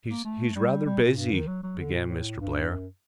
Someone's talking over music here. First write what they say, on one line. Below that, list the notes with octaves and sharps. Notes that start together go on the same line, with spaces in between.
"He's--he's rather busy," began Mr. Blair.
A#3
A3
G3
G3
A#2
G2
D#3
F#3
F#3
D3
A#2
A2
G2
F#2